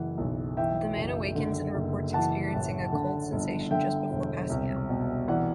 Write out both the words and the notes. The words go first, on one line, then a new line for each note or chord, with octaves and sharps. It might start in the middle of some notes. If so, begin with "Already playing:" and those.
The man awakens and reports experiencing a cold sensation just before passing out.
Already playing: F#1 E3 F#5
B1
E3 E5 G5
F#1
D3
F#1
E3 F#5 A5
A1
D3
G1
D3 E5 G5
E1
C2
B2
E3 D5 F#5